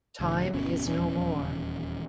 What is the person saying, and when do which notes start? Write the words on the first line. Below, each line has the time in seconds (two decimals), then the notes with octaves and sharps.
Time is no more.
0.20 C2 A2 D3
0.53 G1 D2 B2 C#4
0.85 D#1 E2 D#3 C#4